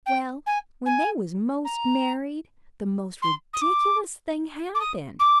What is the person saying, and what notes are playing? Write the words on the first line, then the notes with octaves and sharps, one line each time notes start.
Well, when they was most married the most ridiculous thing happened.
G5
G#5
G#5
A#5
C6
D#6
D6
D6
D#6
D6